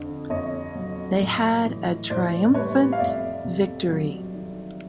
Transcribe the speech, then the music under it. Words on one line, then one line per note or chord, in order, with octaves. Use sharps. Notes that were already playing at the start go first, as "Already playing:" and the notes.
They had a triumphant victory.
Already playing: F2 D3
F2 C#5 D#5
F#3
A2
E3
A2 C5 D5
G3 B4 C#5
F5
F2 D5 E5
C3
F#3
D#3